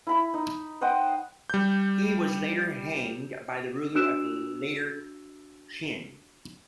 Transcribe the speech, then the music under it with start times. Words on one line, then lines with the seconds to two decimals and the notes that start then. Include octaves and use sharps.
He was later hanged by the ruler of Later Qin.
0.07 E4 B5
0.34 D#4
0.81 C5 D#5 F#5 G5
1.50 G3 G6
3.95 D4 F#4 E6 F#6 D7 E7